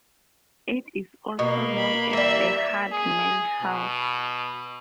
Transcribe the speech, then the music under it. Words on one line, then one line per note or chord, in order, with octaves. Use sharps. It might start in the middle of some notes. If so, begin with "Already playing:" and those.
It is also known as The Hardmans' House.
B2 A#3
B5
E3 G3 E5
G#4
B2